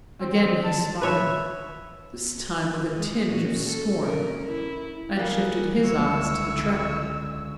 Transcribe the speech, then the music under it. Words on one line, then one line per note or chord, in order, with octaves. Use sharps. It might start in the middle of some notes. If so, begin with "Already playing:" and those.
Again he smiled, this time with a tinge of scorn, and shifted his eyes to the track.
C4
A5
B4 C#5 E5
G#3
A#2 C#4 F#4
A4
C#4 A#4
E4
G3 A#3 G#4 F#5
C#2 D3 E4 C#5 C#6 E6